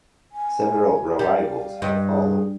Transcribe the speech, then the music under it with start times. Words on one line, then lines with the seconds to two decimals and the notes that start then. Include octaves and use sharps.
Several revivals have followed.
0.32 G#5
1.19 G3 F5
1.82 G2 D#5
2.09 G#4